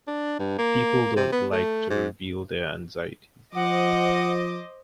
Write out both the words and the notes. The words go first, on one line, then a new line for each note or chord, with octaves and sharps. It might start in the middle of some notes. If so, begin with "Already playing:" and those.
People don't like to reveal their anxieties.
D4
G2
A#3
C3
B3
A3
G#2
F3 C5 D#5 F#5 D6